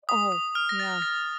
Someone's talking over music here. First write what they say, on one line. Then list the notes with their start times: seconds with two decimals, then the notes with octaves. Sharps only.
Oh, yeah.
0.09 D#6
0.32 D#6
0.55 F6
0.69 A#6
0.79 A6
1.02 A#6